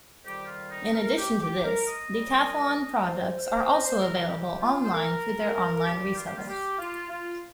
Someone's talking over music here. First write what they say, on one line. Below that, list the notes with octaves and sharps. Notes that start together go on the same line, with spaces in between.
In addition to this, Decathlon products are also available online through their online resellers.
F2 D#3 G3 G4
F4
D#4
A#4
G4
G4
A#4
D#5
A#2 G3
C5
F5
D#5
C5
F2 C3 G3 A#4
G4
F4
C5
A#4
A#4
G2 D#3 G3 G4
F4
G4
F4
G4
F4
F4